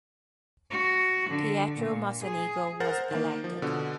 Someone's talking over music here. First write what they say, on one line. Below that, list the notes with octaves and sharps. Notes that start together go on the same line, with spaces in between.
Pietro Mocenigo was elected.
F#4
D3
A#2
G#4
A#4 C5 F#5 A6
D#3 A#3
F3
B2 D3